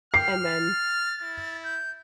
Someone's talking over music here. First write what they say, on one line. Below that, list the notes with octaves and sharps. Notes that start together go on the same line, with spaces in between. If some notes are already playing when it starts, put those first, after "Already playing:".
and then
G5 F6 C7
A6
E4
G6